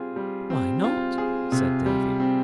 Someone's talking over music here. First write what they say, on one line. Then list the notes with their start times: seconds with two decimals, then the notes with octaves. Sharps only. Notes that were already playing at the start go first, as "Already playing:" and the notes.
"Why not?" said Davy.
Already playing: G3 C4 F4 G#4
0.16 G3
0.50 C4
0.84 F4
1.18 G#4
1.52 C3
1.86 G3
2.20 C4